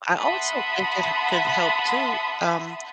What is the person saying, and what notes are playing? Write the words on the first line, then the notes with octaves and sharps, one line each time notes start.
I also think it h could help too, um,
E5 F#5 A5 B5 C6 D#6